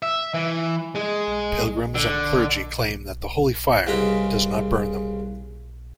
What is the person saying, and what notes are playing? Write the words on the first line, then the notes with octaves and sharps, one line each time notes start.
Pilgrims and clergy claim that the Holy Fire does not burn them.
E5
E3
G#3
D3
C2 C#3 G#3 B4 A#5 B5